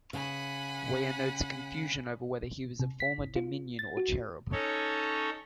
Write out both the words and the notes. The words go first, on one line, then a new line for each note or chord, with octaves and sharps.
Weyer notes a confusion over whether he was a former Dominion or Cherub.
C#3 F#5 G#5 B5
C3
B6
G1
F4
A6
F#4
C#4 D#4 A4 C#5